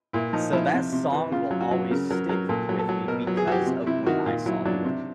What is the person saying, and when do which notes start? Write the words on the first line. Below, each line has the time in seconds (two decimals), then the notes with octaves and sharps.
so that song will always stick with me because of when I saw the movie.
0.13 A#2 E4
0.33 F3 D#4
0.53 F3 E4
0.73 C3
0.92 C3
1.12 E3
1.32 C#3 F4
1.51 F#3
1.61 F#4
1.71 F#3
1.91 C#3 A#4
2.10 F#3 A#4
2.29 F#3 A#4
2.49 A#2 A4
2.69 F#3
2.79 A4
2.89 F#3
3.08 B2 A#4
3.27 F#3
3.37 G#4
3.47 F#3 F#4
3.52 G4
3.66 C3
3.86 C3 E4
4.06 D#3 F#4
4.26 A#2 F4
4.46 F#3 E4
4.65 F#3 D4
4.84 C3